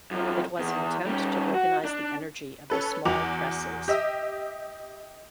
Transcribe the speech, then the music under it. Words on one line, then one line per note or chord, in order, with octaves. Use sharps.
It was an attempt to organize the energy of the small presses.
F#2 F3
E2
G3 C#4
F#4
D4
C#4 A4 B4
E2 F#4 D6 F7
G4 D#5 E5 D#6